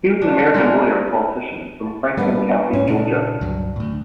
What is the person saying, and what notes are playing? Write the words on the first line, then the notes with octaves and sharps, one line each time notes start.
He was an American lawyer and politician from Franklin County, Georgia.
D4
G#3 A#3 D4
G3 A#3 B3 D4
G#2 C#4
A#2 C#3 D4
C#2 G2 F#3
D2 A2